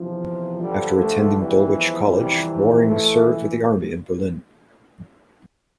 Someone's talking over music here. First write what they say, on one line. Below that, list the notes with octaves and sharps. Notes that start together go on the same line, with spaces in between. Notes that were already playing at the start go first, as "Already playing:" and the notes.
After attending Dulwich College, Waring served with the Army in Berlin.
Already playing: E2 C3 F3
G2 D3 F3 G3
A3
E2 E3 G3
F3
F2 C3 E3 G3
E3 A3